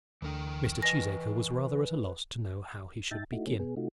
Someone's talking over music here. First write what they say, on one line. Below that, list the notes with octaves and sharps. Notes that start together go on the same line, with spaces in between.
Mr. Cheesacre was rather at a loss to know how he should begin.
D2 D3 E3 A#4 G5
B4 D#5 G#5 A#6
G#2 D#4 E5 G5 A5 A6
A3 D#4 E4 F#4
A#2 E3 A3 A#3 C#4 G#4
B2 B3 G#4
C3 A3 D#4 F4 F#4